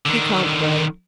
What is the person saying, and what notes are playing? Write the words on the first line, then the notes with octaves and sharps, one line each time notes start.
He can't bray.
D3 D#3